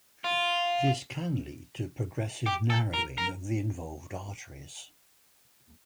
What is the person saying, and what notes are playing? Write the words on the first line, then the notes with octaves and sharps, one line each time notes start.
This can lead to progressive narrowing of the involved arteries.
F4
G4
A4
A#4
A#4